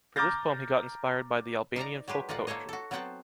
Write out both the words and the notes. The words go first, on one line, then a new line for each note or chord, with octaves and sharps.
For this poem he got inspired by the Albanian folk poetry.
A#5 D6 F6 G6 A6 A#6
D#4 A#4 D5 A#5
F#3 G#3 G4 B4
A2 D#4 F4 D5 F#5
A#3 A4 C5 C#5 D#5
F#4 A4
F#3 B3 C4 F#5 G5 A5